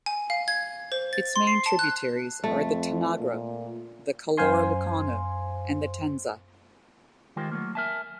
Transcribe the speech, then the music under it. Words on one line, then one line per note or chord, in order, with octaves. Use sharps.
Its main tributaries are the Tanagro, the Calore Lucano and the Tenza.
G#5
F5
G#6
C5
A6
C6
C7
A5
F#6
F2 A3
A#2
F#2 C5 F5 G#5 C6
D#3 G#3 F4 G4 A#4 C5
F#3 A3 A#3
A#4 C5 E5 G#5 A5